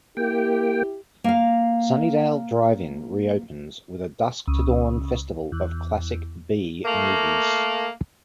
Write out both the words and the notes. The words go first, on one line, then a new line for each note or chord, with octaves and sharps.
Sunnydale Drive-In reopens with a dusk-to-dawn festival of classic B movies.
A#3 E4 G4 G5
A#3 F5
C#2
E2
A3 A#3